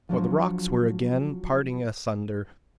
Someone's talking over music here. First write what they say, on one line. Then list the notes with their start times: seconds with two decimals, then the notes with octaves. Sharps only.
For the rocks were again parting asunder.
0.09 F3 F#3 D4 C5